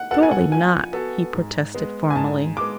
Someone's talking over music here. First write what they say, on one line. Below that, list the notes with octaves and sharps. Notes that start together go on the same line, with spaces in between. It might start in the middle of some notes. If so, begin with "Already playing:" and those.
'Surely not!' he protested formally.
Already playing: F#5
B3 F#4 A4 F#5
G#5
F#5
F3 G#5
B3 F#4 A4
G#2
G#3 B3
G#5
G#2 A5
G#3 B3 D6